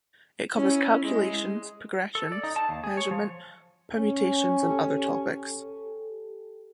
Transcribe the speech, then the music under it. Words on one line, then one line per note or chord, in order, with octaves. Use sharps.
It covers calculations, progressions, measurement, permutations, and other topics.
C#4 E4
G#3
A4
D5
D#4
A5
D#2
G#4
C#5
F3
C#4
G4 A4